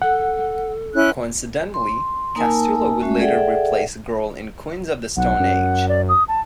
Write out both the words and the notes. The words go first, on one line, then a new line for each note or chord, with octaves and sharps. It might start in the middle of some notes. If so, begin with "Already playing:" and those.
Coincidentally, Castillo would later replace Grohl in Queens of the Stone Age.
A4 F#5
C#4 E4 F#6
C6
A#3 D#4 A#4 G#5 A5 E6
G#3 A3 C#4 F#4 E5 G#5
G#4 A4 D5 E5 F#5 G5
B1 F#5
F#2
D5
D#6
A5